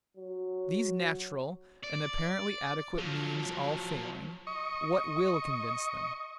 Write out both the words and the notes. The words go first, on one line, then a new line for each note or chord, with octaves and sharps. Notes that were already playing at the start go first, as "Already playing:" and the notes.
These natural and apparently adequate means all failing, what will convince them?
F#3
D5
F3 F#3
D#5 C#6